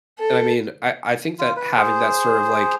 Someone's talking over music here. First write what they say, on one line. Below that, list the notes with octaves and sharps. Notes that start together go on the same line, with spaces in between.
And I mean, I I think that having that sort of like
A4
F4
B4
G#4 C5